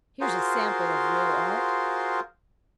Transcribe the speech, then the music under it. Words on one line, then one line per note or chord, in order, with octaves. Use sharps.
'Here's a sample of real Art.
F4 F#4 G#4 A#4 C5 F5